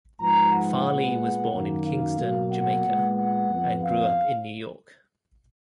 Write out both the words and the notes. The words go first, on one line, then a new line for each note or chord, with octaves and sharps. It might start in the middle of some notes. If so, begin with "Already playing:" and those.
Farley was born in Kingston, Jamaica, and grew up in New York.
G#2 F3 G#3 B3 A#5
F#5
A#2 G#3 B3
F#2 D#3 F#3 A#3
F5
B2 F#3 A#3
F#5
A#2 G#3 B3
F#5
F2 F3 B3
F5